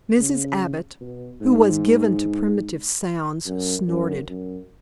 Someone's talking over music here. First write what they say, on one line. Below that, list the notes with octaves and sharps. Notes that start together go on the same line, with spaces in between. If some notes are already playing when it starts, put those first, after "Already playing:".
Mrs. Abbott, who was given to primitive sounds, snorted.
C#3
B2
G#2
F#2
F#2
F#2